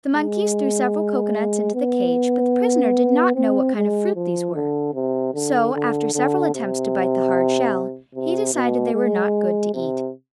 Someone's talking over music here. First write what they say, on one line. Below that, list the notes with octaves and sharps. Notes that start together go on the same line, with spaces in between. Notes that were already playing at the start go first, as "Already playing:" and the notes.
The monkeys threw several cocoanuts into the cage, but the prisoner did not know what kind of fruit these were; so, after several attempts to bite the hard shell, he decided they were not good to eat.
G#3
B3
C4
G#3
F3
D3
C3
D3
D3
D3
C3
C3
B2
G#3
C3